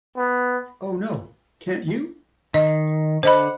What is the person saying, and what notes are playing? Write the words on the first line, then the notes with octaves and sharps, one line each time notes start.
O no, can't you?
B3
D#3 D#5
D3 D4 C5 D#5 F#5 B5